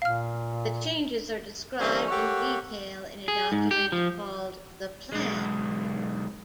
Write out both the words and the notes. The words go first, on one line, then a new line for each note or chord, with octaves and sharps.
The changes are described in detail in a document called "The Plan".
A#2 F5 F6
D3 E3 G3 C4 C#4
A#3 G4 A4 C#5 F#5
G#4
G#2
G4
F3
B1 G#3